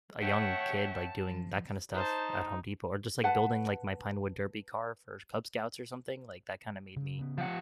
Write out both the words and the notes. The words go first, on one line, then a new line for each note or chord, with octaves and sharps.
a young kid, like, doing that kinda stuff at Home Depot or just, like, building, like, my pinewood derby car for Cub Scouts or something, like, that kinda made me
C#5 E5 F#5 G5 A5 C#6
A5
F3
D#4 C5 A5
B4 F#5 A5
C#3
C#3 B3
F3 F#5